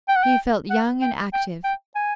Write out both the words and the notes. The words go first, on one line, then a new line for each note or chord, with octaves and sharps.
He felt young and active.
G5
F#5
G5
F#5
G5
G5
G5
G#5